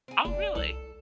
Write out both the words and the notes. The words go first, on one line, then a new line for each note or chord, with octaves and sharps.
Oh, really?
C4 G#4
F#1 D4
C2 A4